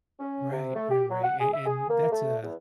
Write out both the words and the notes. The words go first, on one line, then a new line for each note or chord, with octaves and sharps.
Right, ri right an and that's a
C#4
C3
A3
G4
F#3
F#5
G#4
E5
G#4
A#3
A3
E2